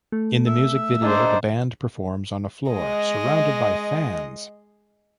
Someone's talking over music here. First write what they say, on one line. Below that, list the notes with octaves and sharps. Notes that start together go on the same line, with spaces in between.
In the music video, the band performs on a floor surrounded by fans.
A3
E5
A#3 D4 G#4 C5 D#5
G#3 D#5